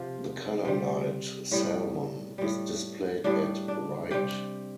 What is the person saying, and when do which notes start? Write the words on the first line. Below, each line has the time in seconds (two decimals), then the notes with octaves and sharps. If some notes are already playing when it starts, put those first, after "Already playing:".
The color light salmon is displayed at right.
Already playing: C3 F3 F4
0.65 C3 G3
1.51 A2 G3
2.38 A2 G3
3.24 A2 G3 D4
3.68 D4
4.11 C3 G3 G4